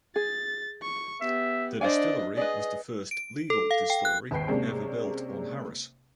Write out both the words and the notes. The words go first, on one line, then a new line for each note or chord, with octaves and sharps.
The distillery was the first legal distillery ever built on Harris.
G#4 A6
C#6
B3 G4 E5
D4 C5 D5 D#5 F5 G#5
G#4 B4 D5 D#5
D7
A4
F5
G5
F#6
G#1 D#2 B4 G5 C7
C3 G#3 A#3 C#4 D4